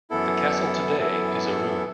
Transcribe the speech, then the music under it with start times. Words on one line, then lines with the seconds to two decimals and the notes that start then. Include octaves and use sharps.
The castle today is a ruin.
0.10 F#2 E3 B3 E4 A4
0.96 F#2 E3 B3 E4 A4